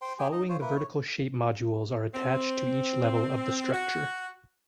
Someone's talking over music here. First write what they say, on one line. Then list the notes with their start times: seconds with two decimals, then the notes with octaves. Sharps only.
Following the vertical shape modules are attached to each level of the structure.
0.02 C5 G5 C6
0.19 G4 G#4 G5 G#5
0.32 D#4 D#5
0.49 F4 C5 C#5
0.61 A#3 E4 B4
0.76 C#5
2.14 C4
3.72 F#4